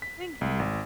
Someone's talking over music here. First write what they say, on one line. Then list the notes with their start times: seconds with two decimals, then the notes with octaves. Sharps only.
Thank you.
0.02 B6
0.41 C2
0.59 G#1